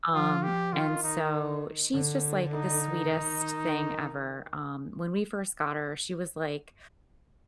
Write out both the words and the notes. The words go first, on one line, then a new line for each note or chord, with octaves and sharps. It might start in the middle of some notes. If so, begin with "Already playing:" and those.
Um, and so, she's just like the sweetest thing ever. Um, when we first got her, she was like
F3 F4
F3 G4
D#3 F4
D#4
D3
D#4
D#3